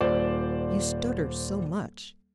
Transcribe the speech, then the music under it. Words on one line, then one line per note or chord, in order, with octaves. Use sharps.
You stutter so much.
D#1 C5 D5